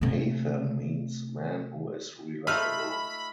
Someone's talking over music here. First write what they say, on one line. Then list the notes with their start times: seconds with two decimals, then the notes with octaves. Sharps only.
Pathan means man who is reliable.
0.01 C3 A3
2.47 A3 D#4 F4 B5 E6 F6